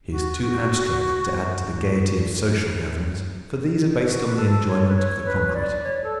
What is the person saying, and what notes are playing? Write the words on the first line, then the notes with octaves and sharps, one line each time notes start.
He is too abstract to add to the gaiety of social gatherings, for these are based on the enjoyment of the concrete.
F#4
F#4
G#4
F#4
B4
A4
C#5
B4
C#5
B4
C#5
D5
C#5
A4